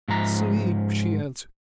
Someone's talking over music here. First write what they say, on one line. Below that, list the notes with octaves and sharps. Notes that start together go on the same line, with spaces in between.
"Sleep!" she answered.
G#2 F3 A#5